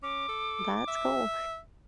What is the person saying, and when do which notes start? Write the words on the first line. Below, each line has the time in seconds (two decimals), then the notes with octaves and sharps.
That's cool.
0.03 C#4 D6
0.28 A4
0.88 E5